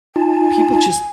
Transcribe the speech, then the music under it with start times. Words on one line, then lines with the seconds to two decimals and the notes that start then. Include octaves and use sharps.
people just
0.16 D#4 F4 G#5 A5